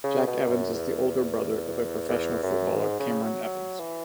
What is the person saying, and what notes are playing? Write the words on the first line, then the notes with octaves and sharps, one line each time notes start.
Jack Evans is the older brother of professional footballer Cameron Evans.
C#3
B2
F#2
E2
E2
F#2
G#2
C#3
F#3
F#3
E3